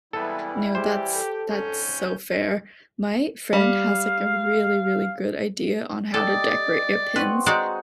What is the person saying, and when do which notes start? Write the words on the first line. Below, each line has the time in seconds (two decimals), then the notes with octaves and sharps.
No, that's that's so fair. My friend has like a really, really good idea on how to decorate your pins
0.13 C2 E3 G3 G#3 B3 E4 A4
0.75 G#3 G4 C5
1.14 A4
1.49 F2 G#2 C#4 G6
3.53 G3 F5
6.14 G4 A4 D5 D#5
7.16 C4 F#4 B4 C#6
7.46 G#3 D#4 F#4 D5